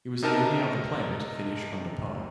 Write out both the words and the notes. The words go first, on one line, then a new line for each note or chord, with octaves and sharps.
He was the only other player to finish under par.
C3 D#4 A#4 A5 D#7